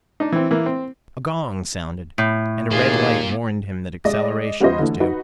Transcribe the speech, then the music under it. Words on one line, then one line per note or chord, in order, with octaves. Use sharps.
A gong sounded, and a red light warned him that acceleration was due.
D4 D#4
E3 C4
E3 A#3
C4
A2
D#2 A#3 F4 G#4 F5
G#3 D5 D#5
G3 B3 C#4 F4 C5 D#5
D3 E3 A3
D#4 F#4 B4